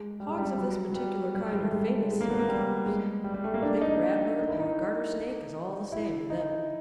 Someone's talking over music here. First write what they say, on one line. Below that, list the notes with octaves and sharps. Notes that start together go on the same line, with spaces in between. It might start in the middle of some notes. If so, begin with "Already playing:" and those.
Hogs of this particular kind are famous snake-killers--a big rattler or a garter snake is all the same to them.
Already playing: G#3
G3
G#3
G3
F#3
F#3
G3
G3
G#3
A3
G#3
G#3
A#3
B3
A#3
G3
G#3
G3
G3
A3
A#3
D4
D#4
D#4
E4
D#4
E4
D#4